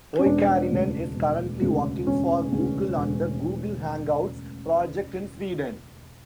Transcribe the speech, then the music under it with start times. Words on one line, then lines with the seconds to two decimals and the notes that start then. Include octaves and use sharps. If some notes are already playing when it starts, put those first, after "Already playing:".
Oikarinen is currently working for Google on the Google Hangouts project in Sweden.
0.19 C#4
0.26 E1 D4
0.71 D2 C#3 G#3 B3
1.16 E1
1.61 D2 C#3 G#3 B3
2.07 E1 C#4
2.52 D2 C#3 G#3 B3
2.97 E1